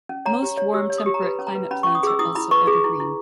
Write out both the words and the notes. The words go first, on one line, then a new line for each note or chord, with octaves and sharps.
Most warm temperate climate plants are also evergreen.
C#4
C#5 A#5
G4
C#5
G4 E6
C#5
D#6
G4
A#5
B4 B5
C#4
A#5
B4
C#4 B5
C#4 C#6
D#6
G#4 E6
E4 D#6
E4 B5
B4 C#6
G#4
E4
E4